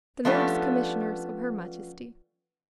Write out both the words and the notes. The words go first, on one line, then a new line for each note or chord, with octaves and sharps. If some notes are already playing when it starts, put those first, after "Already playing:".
"The Lords Commissioners of her Majesty."
F3 G3 A3 B3 C#4 D4